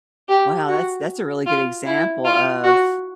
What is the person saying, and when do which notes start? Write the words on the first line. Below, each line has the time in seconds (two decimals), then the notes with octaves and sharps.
Wow, that's that's a really good example of
0.29 G4
0.68 F#4
1.46 F4
1.86 E4
2.24 F4
2.64 F#4